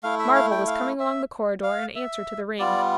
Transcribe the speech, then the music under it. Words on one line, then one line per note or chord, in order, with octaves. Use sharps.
Marvel was coming along the corridor in answer to the ring.
A3 E4 F5
E5
F5
G5
F5
E5
F5
E5
G3 B3 F4 D5